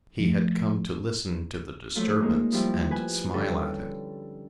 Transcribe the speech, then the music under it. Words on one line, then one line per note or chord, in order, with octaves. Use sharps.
He had come to listen to the disturbance, and smile at it.
F3 A3
F3 F#3 A3 F4
G#3 A#3 D#4
F3 G3 E4 F4
B4 G#5
D3 G3 C#4 A4